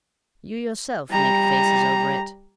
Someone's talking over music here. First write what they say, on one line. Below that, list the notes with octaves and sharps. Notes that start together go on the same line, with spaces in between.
You yourself make faces over it.
G3 A#5